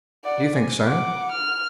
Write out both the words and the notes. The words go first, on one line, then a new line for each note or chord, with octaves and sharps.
"Do you think so?"
D5 F#5
G#5
F#5 D6
F6